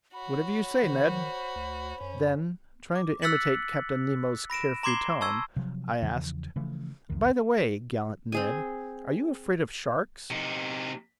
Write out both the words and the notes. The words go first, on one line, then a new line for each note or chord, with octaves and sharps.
"Whatever you say, Ned." Then, trying to imitate Captain Nemo's carefree tone, I asked, "By the way, gallant Ned, are you afraid of sharks?"
F#4 C#5 B5
D#3 C5
D2
F#2 C#4
D6
E6 F#6 A6 B6 C#7 F#7
B5 A#6 D7 E7
A#5 C6 D6 G#6 C7 G7
A5 C#6 E6 G#6
C3 F3 F#3
E2 C#3 E3 F3
C#3 E3 F3 A3
C2 F2 D#3
C4 G#4 G#5
C3 D#4